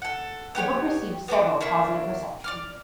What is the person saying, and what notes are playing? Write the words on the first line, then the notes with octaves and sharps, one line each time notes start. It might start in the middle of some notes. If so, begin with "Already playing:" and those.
The book received several positive reception.
A4 F#5
B3 G4 B4 C#5
B3 D4 F#4 D6
A3 A#3 D4 E4
D5 D6 F6